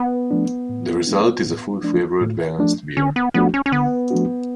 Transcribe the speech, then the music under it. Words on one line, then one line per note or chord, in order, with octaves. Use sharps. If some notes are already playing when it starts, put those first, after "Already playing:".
The result is a full flavoured balanced beer.
Already playing: B3
F3 A3 D4
A2
F3 A3 D4
A2
F3 A3 D4
A2
F3 A3 D4
D3 C#4
B3
F3 A3 B3 D4 F#4
C#4
C#4
D3 B3
F3 A3 D4 F#4